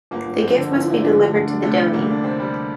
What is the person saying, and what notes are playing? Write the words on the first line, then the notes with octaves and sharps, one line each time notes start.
The gift must be delivered to the donee.
G1 A#3
G1
F2 C4
D3
G1 E4
F4
G1 E4
F2 D4
D3
D2
D4
C3 A3
G3
D2 A#3
D4
C3 C4
G3